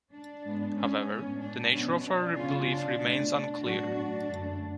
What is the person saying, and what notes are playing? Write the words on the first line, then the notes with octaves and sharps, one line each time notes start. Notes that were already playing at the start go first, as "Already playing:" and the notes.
However, the nature of her belief remains unclear.
D4
G#2 G#3 B3
C#4
A2 G#3 B3
D4
B2 F#3 B3 C#4
D4
C#3 G#3 B3 C#4 F4
D4
B2 A3
D4
A2 F#3 B3 D4 F#4
D4
F#2 D3 F#3 A3